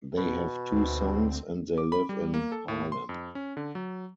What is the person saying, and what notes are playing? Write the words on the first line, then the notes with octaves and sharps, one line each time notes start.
They have two sons and they live in Harlem.
B2
D2 C4
D6
B5
G3
A#3
A4
A2
C6
F2
C#4
D3
F#3